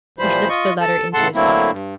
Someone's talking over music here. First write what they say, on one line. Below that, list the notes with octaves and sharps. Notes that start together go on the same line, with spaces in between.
He slipped the letter into his pocket.
A#2 E3 F3 G3 C5 B5
F4 D#5 C#6
A4 A5
A2 C#3 A4 F#5 A5 C6
D3 F#3 A3 A#3 C4 E4
G2